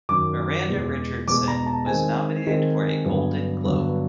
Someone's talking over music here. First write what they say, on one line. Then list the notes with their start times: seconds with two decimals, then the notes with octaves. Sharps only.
Miranda Richardson was nominated for a Golden Globe.
0.09 F#2 D#3 F#3 D6
0.69 E2 B2 G#3
1.28 E2 B2 G#3 D6
1.48 A#5
1.66 A5
1.86 D#3 G#3 C4 D#4 G#5
2.46 D#3 G#3 C4 D#4
3.05 G2 D3 F#3 B3
3.64 G2 D3 F#3 B3